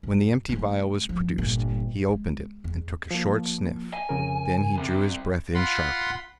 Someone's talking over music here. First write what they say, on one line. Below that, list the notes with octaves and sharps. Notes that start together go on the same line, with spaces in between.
When the empty vial was produced he opened it and took a short sniff. Then he drew his breath in sharply.
F#2
C3 A3
F3
G1 A#2
G#3
E2
F3 A#3
G#5
F2 C#3 A#4
C2 C3
F4 F#5 B5 C6